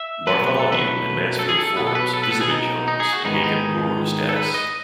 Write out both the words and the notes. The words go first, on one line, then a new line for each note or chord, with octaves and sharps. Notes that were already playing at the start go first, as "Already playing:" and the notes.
Bartholomew and Mansfield Forbes visited Jones, and gave him "guru" status.
Already playing: E5
B2 F#3 A3 B4
B4
A4
B4
A4
G#4
A4
B2 F#3 B3 B4
A4
B4
A4
B4
A4
G#4
D#4
D#4
G#4
F#4
G#2 D#3 G#3 B3 D#4
D#4
A4
B4
D#5